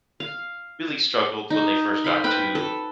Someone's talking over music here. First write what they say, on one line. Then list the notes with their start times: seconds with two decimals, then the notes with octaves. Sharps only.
really struggled when they first got to
0.20 F5
1.50 D#4
2.04 C5 F5 B5
2.24 B4 G5 B5
2.55 A4